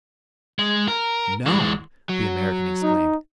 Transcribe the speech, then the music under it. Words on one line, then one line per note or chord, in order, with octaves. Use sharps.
"Known!" the American exclaimed.
G#3
A#4
E3 G#3
F#3
D#4